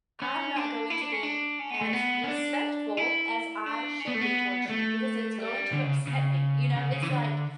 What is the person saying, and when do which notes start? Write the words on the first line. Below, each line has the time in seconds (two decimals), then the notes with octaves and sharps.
I'm not going to be as respectful as I should be towards you because it's going to upset me, you know, it's, like
0.22 C#4
0.56 D4
0.90 E4
1.01 D4
1.12 C#4
1.23 D4
1.59 C#4
1.70 B3
1.81 A3
1.93 B3
2.24 C#4
2.28 D4
2.97 E4
3.66 D4
4.00 C#4
4.08 B3
4.14 A3
4.21 B3
4.65 G3
4.69 A3
5.38 G3
5.72 D3
5.84 C#3
6.07 C#3
6.76 C#3
6.93 C#3
7.02 E3
7.10 D3